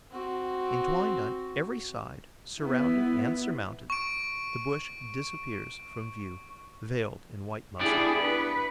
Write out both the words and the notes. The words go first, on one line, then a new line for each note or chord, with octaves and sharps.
Entwined on every side, surrounded and surmounted, the bush disappears from view, veiled in white muslin.
C4 F#4
B3 E4
C#6 D7
B3 D4 E4 G4 G#4 D5
B4